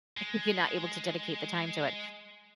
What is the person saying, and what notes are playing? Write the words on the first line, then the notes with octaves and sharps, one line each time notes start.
if if you're not able to dedicate the time to it?
G#3